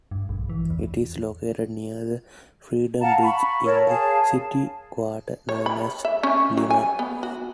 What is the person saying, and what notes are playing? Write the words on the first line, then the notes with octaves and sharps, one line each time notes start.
It is located near the Freedom Bridge, in the city quarter known as Liman.
G2
A#1
E3
E2
F5 F#5 A5 A#5
B5 C#6
A4 A#4 C#5
G#4 F5 A5
C#5
B5
E5
C#4
F#3
G#5
B3
F#4